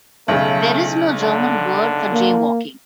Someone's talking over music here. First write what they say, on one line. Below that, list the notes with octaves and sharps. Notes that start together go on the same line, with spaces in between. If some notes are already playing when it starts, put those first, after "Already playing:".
There is no German word for jaywalking.
B1 C#3 A3
D3
A#3